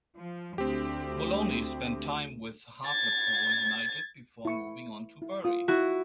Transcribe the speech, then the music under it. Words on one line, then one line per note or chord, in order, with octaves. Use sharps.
Moloney spent time with Hartlepool United before moving on to Bury.
F3
D2 C4 G4
G#6 A6
E4 C#6
E4
F4 D#6
E4 F#4